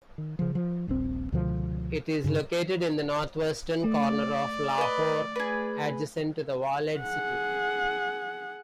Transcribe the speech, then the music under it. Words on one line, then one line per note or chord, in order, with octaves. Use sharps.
It is located in the northwestern corner of Lahore, adjacent to the Walled City.
D#3
C#3 F3
F3
D#1 A#1 G#2 C4
C#2 B2 D3 F3
G2 C#3
A3 D5
B4 D#5
G#4 B4
G#4 F#5